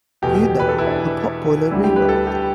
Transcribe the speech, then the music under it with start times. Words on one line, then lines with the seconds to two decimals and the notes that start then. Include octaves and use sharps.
You know, a potboiler rewrite.
0.22 E2 B2 A3 G4
0.35 G4
0.60 B4
0.69 A4
0.78 E4
0.87 D4
1.71 D2 D3 G3 E4
1.84 G4
1.96 B4
2.09 A4
2.27 G4